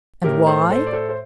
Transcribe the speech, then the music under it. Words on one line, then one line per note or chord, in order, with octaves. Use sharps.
And why?
A2 G4 A#4
A4 C5
A4 C5
D5
A4 C5
C5